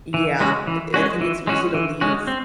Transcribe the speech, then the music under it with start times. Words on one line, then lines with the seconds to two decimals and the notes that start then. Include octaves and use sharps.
Yeah, eh I think it's easy to leave
0.14 E3
0.40 G#3 C#4 F#4
0.67 E3
0.94 G#3 C#4 F#4
1.21 E3
1.47 G#3 C#4 F#4
1.74 E3
2.01 G#3 C#4 F#4
2.27 C4